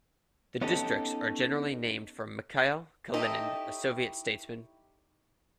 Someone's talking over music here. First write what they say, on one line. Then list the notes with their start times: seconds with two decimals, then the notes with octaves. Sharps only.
The districts are generally named for Mikhail Kalinin, a Soviet statesman.
0.61 B3 C#4 D#4 G4 A4
3.14 D#4 E4 G4 A4 C#5 D#5